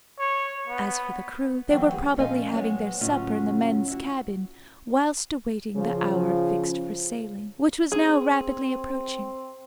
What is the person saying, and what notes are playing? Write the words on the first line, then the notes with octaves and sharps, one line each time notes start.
As for the crew, they were probably having their supper in the men's cabin, whilst awaiting the hour fixed for sailing, which was now rapidly approaching.
C#5
B3
E3 F#3 G3 B3 C4
G4 G#4
A#2 F3 C#4 D#5 F5 G#5
F#3 G#3 B3 C4 C#5
A2 C#3 F#3 G#3 C#4 F4
E4 F#4
C#3 F3
C4 G#4